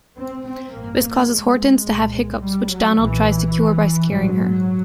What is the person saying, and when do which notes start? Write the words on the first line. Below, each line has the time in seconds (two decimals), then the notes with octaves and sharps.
This causes Hortense to have hiccups which Donald tries to cure by scaring her.
0.16 C4
0.44 C4
0.72 A1 G2 A#3
1.27 G#3
1.84 C2 A#2
2.41 G3
2.68 F#3
2.96 B1 A#2 E3
4.08 A#1 G#2 F#3